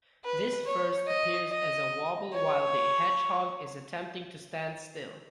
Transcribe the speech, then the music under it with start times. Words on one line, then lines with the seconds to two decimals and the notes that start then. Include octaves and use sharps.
This first appears as a wobble while the hedgehog is attempting to stand still.
0.24 B4
0.65 C#5
1.07 D#5
1.49 D#5
2.32 C#5